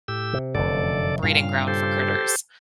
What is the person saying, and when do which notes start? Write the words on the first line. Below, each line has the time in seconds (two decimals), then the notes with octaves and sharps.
breeding ground for critters.
0.08 A2 G4 E6
0.33 C3
0.55 F1 F#2 D3 A4 D5
1.23 G2 A#2 C#3 F5
1.68 G4 A4 C5